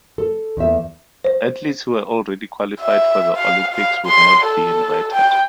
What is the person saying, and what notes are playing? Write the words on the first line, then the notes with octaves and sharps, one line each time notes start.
Athletes who were already qualified for the Olympics would not be invited.
A4
E2 E5
C5
E5
F5
F5
C6
A4
G5